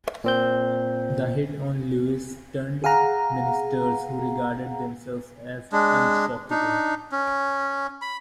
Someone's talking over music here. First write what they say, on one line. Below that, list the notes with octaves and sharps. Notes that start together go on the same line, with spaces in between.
The hit on Lewis stunned Ministers who regarded themselves as unshockable.
A#2 C4 G6
G#4 F5 F#5 A#5
G#3 D4
D4 D#4
C#4
B5